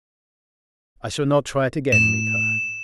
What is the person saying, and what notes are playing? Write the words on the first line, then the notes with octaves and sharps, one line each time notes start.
"I shall not try it again, Miko."
A2 E7